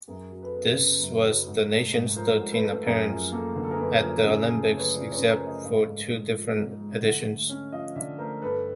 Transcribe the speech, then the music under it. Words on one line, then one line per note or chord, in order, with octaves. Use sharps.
This was the nation's thirteenth appearance at the Olympics, except for two different editions.
F#2 G#4 A#4
F#3
A4 B4
B3
C#3
F#2
F#3
G#2
A3
G#2
F3 A#4 C5
G#2
A4 B4
A3
F#2 G#4 A#4
F3 G#4
A#3 A4
D3 A#4
A4
G#4 A#4
F#2 A4 B4
F3 G#4 A#4
C#3 G#4 A#4
A3 G#4
A4
C#3
B4 C#5
F3 C5 D5
B4 C#5
C#3
A#4 C5
A3
C#5 D#5
G#2 D#5 F5
G#3
G#2
F3
G#2
G#3
D3 E5 F#5
A3
C#4
F3 D#5 F5
D3 D5 E5
A3 A#4 C5
G2 A4 B4